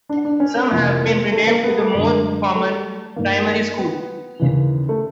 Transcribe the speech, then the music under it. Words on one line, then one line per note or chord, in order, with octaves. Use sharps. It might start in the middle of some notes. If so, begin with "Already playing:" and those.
Some have been renamed to the more common "primary school".
D4
D4
C#4
C4
F2 C3 E3 A#3
A3
A3
A#3
B3
A3
F#2 D3 G#3
A3
G2 D#3 A#3
B3
D#2 C#3 E3
A3